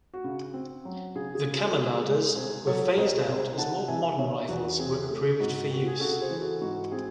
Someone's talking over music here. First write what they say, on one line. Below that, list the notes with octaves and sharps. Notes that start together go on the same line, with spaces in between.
The "kammerladers" were phased out as more modern rifles were approved for use.
F#4
C#3
C4
F#3
C#3 G#4
G#4
C#3
G#4
A4
G#3 G#4
G#3
C3 G#4 C5
F#3 A4 C#5
C#5
C2 C5 D#5
G#4 C5
C3
G#4 C5
D#3 F#5 A5
C3 E5 G#5
D#3 C#5 E5
E2 F#4
C4 G#4
A3
G#2 F#4
C4 F#4
G#4
C#3 F#4 A4
G#4 C5
E3
F#4 A4
G#2 F#4
C4 G#4